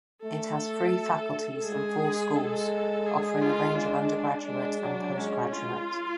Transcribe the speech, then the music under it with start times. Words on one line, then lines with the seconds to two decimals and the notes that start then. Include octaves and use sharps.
It has three faculties and four schools, offering a range of undergraduate and postgraduate.
0.24 A3 A4
1.64 G#3 G#4
2.35 G#3 A4
3.06 G#4
3.41 F4
3.75 D4
4.45 G#3 D4
4.81 F#3
5.16 G#3 C#4
5.52 G#3 F4